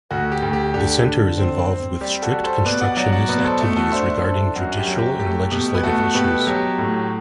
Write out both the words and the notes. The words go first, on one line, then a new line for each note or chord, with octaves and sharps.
The Center is involved with "strict constructionist" activities regarding judicial and legislative issues.
D2 F#4
G4
D2
G4
D3 G4
D3
C4
C4
G3 G4
F#4 A4
G3
A4 C5
B2 B4 D5
D5 F#5
F#3 D5 F#5
D5 F#5
B2 B4 D5
A4 C5
A3
F#4 A4
D4 C5 E5
D4 A4 C5
F#2 F#4
G4
F#3
G4
A3 G4
B2 G4
B4
A3 F#4 A4
B2 G4 B4
A4
F#3 G4
A2